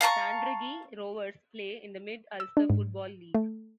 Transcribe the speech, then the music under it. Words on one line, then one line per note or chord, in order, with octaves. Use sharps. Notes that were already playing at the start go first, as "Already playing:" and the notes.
Tandragee Rovers play in the Mid-Ulster Football League.
F5 A5 A#5 C#6
E6
D4
G#2
A3